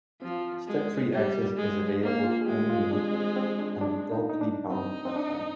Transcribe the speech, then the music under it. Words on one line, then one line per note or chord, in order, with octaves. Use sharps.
Step-free access is available only on the Ilkley-bound platform.
F3 C4
G#3
G3
G#3
A#3 D4
F4
G#4
G#3 G4
F4
C4
D4
C4
C4
D4
D4
D#4
D#4
D4
C4 D#4
C4
D4